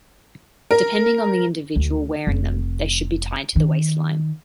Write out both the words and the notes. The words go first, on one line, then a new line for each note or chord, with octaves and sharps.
Depending on the individual wearing them, they should be tied to the waistline.
A#4
D2
F1
D#3